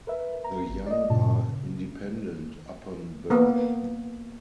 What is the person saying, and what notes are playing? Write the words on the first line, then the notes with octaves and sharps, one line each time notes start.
The young are independent upon birth.
A#4 B4 E5
A#5
G#1
D5 D#5
G2 A#2 C#3 A5
C#3
A#3 B3